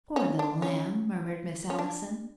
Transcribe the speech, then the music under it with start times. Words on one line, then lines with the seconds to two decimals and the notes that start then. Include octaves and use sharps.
"Poor little lamb," murmured Miss Allison.
0.16 C#4
0.39 D4
0.62 C#4
1.70 C#4
1.79 D4